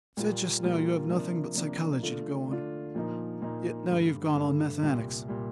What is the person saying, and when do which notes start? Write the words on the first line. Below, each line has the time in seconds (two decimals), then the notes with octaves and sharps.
You said just now you have nothing but psychology to go on, yet now you've gone on mathematics.
0.17 A#2 G3 A#3 F4
0.63 A#2 G3 A#3 F4
1.10 C3 F3 A#3 D4
1.55 C3 F3 A#3 D4
2.03 D3 A3 D4 F4
2.49 D3 A3 D4 F4
2.95 A#2 F3 A#3 D#4
3.42 A#2 F3 A#3 D#4
3.89 G2 D3 A3
4.35 G2 D3 A3
4.82 C2 A#2 G3
5.28 A#2 G3